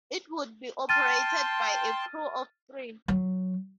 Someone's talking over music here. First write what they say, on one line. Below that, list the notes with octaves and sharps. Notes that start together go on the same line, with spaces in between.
It would be operated by a crew of three.
G5 A5 C6 F6 A6 D#7
F#3